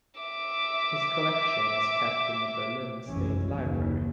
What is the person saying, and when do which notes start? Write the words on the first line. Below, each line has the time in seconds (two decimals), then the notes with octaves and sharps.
His collection is kept in the Berlin State Library.
0.21 E5 D6
3.07 F1 B1 F#2 E3 G#3 C#4
3.54 F#1 D#2 C#3 E3